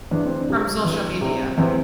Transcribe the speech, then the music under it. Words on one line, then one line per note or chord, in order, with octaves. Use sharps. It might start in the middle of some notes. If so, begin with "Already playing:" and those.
From social media.
E2 D4
C4
D4
C3 G3
E2
C3 G3
E2 C4